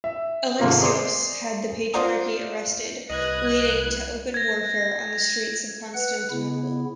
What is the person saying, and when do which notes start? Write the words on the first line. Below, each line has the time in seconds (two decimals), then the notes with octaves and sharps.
Alexios had the patriarch arrested, leading to open warfare on the streets of Constantinople.
0.04 E5
0.59 G#2 C3 A3 A#3 C4 F4
0.81 G#4 C5 D5 C6 D6
1.94 F4 C5 D5 F#5 A#5 D#6
3.10 C2 B4 D#5 F#6 G#6
4.34 G#6 A#6
5.94 B4 F#5 F#6
6.30 C#3 B3 E4